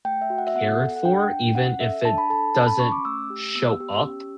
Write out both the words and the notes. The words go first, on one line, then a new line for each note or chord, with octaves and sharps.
cared for even if it doesn't show up
A3 G5
E5
F#4
F#5
E5
B3 F#5
A4
F#5
D4 G5
D4
C#4 F#5
A4 E5
D4 A5
B5
A4 A5
C#4 A5
B5
C#4 C#6
D6
A3 E6
G4
B3 E6
G4
C#4